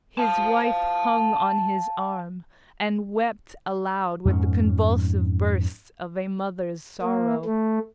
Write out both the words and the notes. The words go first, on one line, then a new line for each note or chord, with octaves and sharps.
His wife hung on his arm, and wept aloud with the convulsive bursts of a mother's sorrow.
F5 A5
F2 G#2 C#4
A#3
A3